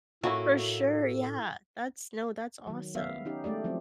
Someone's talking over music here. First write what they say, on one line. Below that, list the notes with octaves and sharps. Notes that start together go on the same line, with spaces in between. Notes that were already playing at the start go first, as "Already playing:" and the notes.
For sure, yeah. That's no, that's awesome.
A2 A#3 C#4 E4 F#4 A4
D#3 F#3
B3 E5 F5
C#4 D#4 G4
G#3 A3 G4 D5
F3 F#3 C4